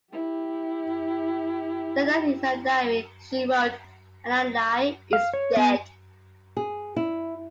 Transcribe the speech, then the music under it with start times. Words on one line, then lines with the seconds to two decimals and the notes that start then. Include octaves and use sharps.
That night in her diary, she wrote, Adlai is dead.
0.13 E4 G4
5.13 F5
5.33 C#5
5.57 B3
6.57 G#4
6.96 E4